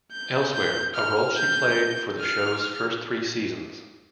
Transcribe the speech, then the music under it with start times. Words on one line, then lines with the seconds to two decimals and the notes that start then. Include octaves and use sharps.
Elsewhere, a role she played for the show's first three seasons.
0.12 G6
0.54 G6
0.95 F6
1.37 G6
2.20 F6